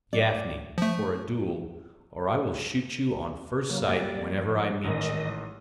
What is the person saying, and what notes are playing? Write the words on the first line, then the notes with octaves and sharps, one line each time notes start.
Gafney, for a duel, or I will shoot you on first sight wherever I meet you.
D5
F3 A3
C#3 F#3 A#3
G3 A#3 D5
F3 D7
A1 G#2 D#3 E3 D#5